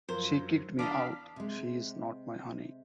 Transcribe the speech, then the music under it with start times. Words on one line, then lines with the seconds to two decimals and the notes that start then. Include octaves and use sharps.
She kicked me out, she's not my honey.
0.09 F#2 F3 A#4 C5
0.79 E2 D4 D#5 F5 A#5 B5 D6
1.36 C3 G#3